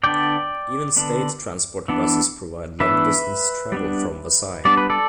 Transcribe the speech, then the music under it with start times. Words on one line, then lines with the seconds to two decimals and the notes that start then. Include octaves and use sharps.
Even State Transport buses provide long distance travel from Vasai.
0.04 D3 B3 D4 D5 G5
0.96 D3 B3 D4
1.88 E3 B3 D4
2.80 E3 B3 D4 B4 E5
3.72 G3 B3 D4
4.65 G3 B3 D4 D5
4.77 B4
4.90 A4 D5